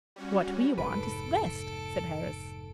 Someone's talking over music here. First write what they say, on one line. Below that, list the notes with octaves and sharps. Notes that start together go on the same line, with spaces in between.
"What we want is rest," said Harris.
G3 C#4 F#4
F1 G#2 A4 B4 D7